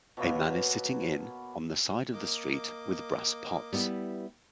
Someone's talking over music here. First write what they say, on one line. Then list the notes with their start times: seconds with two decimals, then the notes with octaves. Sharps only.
A man is sitting in on the side of the street with brass pots.
0.17 B2 F#3 A#3 B3
2.14 A#3 D#5 D6
3.73 G3 B3 E4